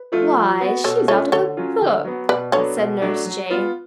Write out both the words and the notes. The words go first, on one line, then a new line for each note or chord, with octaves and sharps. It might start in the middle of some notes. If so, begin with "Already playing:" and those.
"Why, she's out of a book," said Nurse Jane.
Already playing: B4
F3 A3 F4
F3
B3 F#4
B2 A4 C#5
A3 C#4 F4 A4 C#5
D3 A4 C#5
F#3 C#4 F4
D3
F#3 B3
B2 B4 D5
F#3 B3 D4 A4 C#5
B2
F#3 A3 D4
F#3
B3 F4